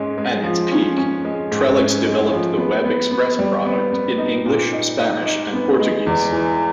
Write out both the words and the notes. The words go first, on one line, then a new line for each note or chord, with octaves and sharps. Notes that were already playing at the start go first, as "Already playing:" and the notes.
At its peak, Trellix developed the Web Express product in English, Spanish, and Portuguese.
Already playing: G#2 G#3 C#4
G#3
F3
C#4
C#4
G#3
G#2
C#4
G#3
F3
B3
B3
B3
G3
B3
B3
D#4
A#2
D#4
D#4
D#4
B3
G#3
E2
E3